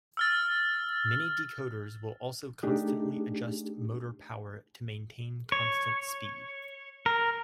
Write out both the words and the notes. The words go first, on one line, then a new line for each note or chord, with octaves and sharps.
Many decoders will also constantly adjust motor power to maintain constant speed.
E6 F6 A6
A3 D4 D#4 G4 G#4
C#5
A#4